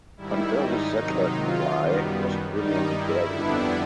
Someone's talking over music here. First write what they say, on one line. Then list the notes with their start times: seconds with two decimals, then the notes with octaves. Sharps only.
An early settler in Rye was William Berry.
0.17 G#2 D#3 G3 E4
0.56 D#4
0.95 C3 D#3 F#3
1.34 F4
1.72 F#2 D#3 G3 B3
2.51 G2 D#3 G3 D#4
2.91 E4
3.30 F2 D3 G3 B3 D4